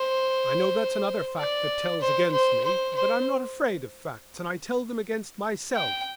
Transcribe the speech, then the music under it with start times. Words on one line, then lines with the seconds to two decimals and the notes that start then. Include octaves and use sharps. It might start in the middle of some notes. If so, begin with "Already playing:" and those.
I know that's another fact that tells against me, but I'm not afraid of facts and I tell them against myself.
Already playing: C5
1.38 D5
2.01 C5
2.32 C5
2.64 C5
2.95 C5
5.75 G5